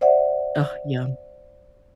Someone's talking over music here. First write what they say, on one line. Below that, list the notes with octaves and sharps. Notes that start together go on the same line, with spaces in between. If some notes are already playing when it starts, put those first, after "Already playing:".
Ah, yum.
C5 D5 E5 F#5